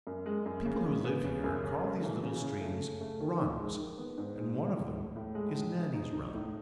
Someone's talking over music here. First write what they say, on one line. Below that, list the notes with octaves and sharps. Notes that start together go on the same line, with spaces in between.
The people who live here call these little streams RUNS, and one of them is Nannie's Run.
F#2
G#3
F#2
C#3
G#3
B3
C#3
F#2
C#3
A3
E3
C#3
C#3
A3
C#3
A3
D#3
D#3
G#3
D#3
B3
G#2
G#3
G#3
A2
A2
A2
G#3
G#3
G#3
D#4
D#4
A2